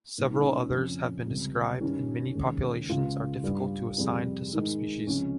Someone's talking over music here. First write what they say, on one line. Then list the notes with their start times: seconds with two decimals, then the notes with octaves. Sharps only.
Several others have been described and many populations are difficult to assign to subspecies.
0.18 C2 A#2 G3 D#4
0.33 D#4
0.45 C#4
0.72 F2 C#3 F3
1.27 C#2 C3 G3
1.80 G2 D#3 G3 C#4
2.35 D#2 C#3 G#3
2.89 C#2 C#3 G#3 F4
3.43 G2 G3
3.98 F2 C3 G3 G#4
4.52 G#2 D#3 G#3
5.07 C#2 C3 F3 G#3 C#4